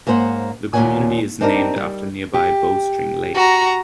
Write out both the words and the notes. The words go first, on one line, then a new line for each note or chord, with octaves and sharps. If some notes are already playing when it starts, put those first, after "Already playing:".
The community is named after nearby Bowstring Lake.
G#2 A#3 C#4 C5 F#5
D#2 A#2 C4 C#5 F#5 G#5
C4 D4 D#4 G4 A#4
G3
G4
F#4 A#5